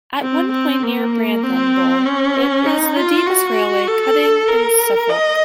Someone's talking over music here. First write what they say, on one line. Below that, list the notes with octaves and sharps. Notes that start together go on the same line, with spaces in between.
At one point near Brantham Bull it is the deepest railway cutting in Suffolk.
C4
C4
A#3
C4
C#4
D#4
F4
F#4
A4
A#4
D#5